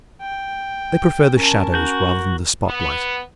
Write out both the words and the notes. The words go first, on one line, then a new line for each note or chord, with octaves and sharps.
They prefer the shadows rather than the spotlight.
G5
C#4 A#4 A5
F#4 A#4 G6
B3